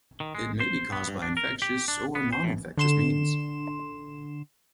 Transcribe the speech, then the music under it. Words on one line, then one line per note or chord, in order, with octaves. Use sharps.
It may be caused by infectious or noninfectious means.
D#3
G#3
C5
B3
G2
D4
A#4
G4
D4
B3
C5
A2
D3 C6 E7